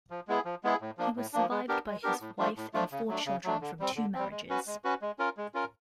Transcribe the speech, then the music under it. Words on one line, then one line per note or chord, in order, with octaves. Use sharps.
He was survived by his wife and four children from two marriages.
F3
G#3 B3 E4 G#4
F3
G#3 B3 E4 G#4
A2
F3 A#3 D4
A2
F3 A#3 D4
G#3
B3 D4 G4 A#4
G#3
B3 D4 G4 A#4
A2
F3 A3 D4 F4
A2
F3 A3 D4 F4
C#3
F#3 A3 D4
C#3
F#3 A3 D4
D3
G3 C4
D3
G3 C4
G#3
C#4 F#4 B4
G#3
C#4 F#4 B4
G#3
C#4 F4 A#4
G#3
C#4 F4 A#4